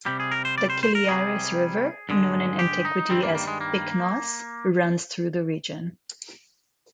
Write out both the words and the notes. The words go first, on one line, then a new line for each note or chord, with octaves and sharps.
The Kiliaris river, known in antiquity as 'Pyknos', runs through the region.
C3 G3 G4
G#4
A#4
C5
D5
C5
C5
A#4
C3 G3 G#4
G2 D3 G#3
G4
D#4
G2 D#3 G3 C4
A#3
A#3
G#3
A#3